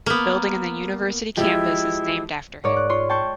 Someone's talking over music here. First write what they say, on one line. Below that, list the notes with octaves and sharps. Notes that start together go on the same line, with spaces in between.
A building in the university campus is named after him.
A#3 B3
F3 G#3 E4 G4
G#2 A#4 C#5 D5 D7
F#6
F4 C#5 C6
G5 A5 C6 C#6 G6 G#6